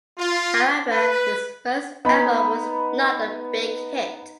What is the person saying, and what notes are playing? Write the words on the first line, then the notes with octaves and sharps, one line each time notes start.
However, his first album was not a big hit.
F4
B4
B3 D#4 F#5 B5